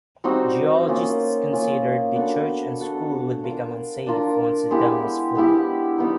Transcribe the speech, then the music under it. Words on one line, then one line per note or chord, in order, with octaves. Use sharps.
Geologists considered the church and school would become unsafe once the dam was full.
G3 C4 D#4 F#4
A#3 C#4 F4
A#3 C#4 F4
B3 D4 F#4 A4
B3 D4 F#4 A4
D4 F4 A#4
D4 F4 A#4
G#3 B3 E4 G4
G#3 B3 E4 G4
G3 B3 D#4